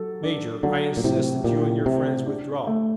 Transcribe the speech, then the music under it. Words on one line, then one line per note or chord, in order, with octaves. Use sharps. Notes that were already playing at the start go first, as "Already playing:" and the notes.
Major! I insist that you and your friends withdraw.
Already playing: F#3 A4
D4
D3 F#3
A#2
A2 C3
A#2 G4
C3 C4
D4
A3